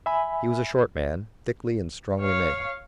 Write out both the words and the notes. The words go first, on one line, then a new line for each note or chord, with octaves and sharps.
He was a short man, thickly and strongly made.
E5 G#5 B5
C#5 F5